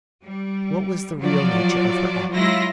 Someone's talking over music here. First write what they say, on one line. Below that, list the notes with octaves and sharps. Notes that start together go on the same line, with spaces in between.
What was the real nature of her act?
G3
F3 F#3 F4 F#4 D5
F#3 G#3 E4 F4 A#6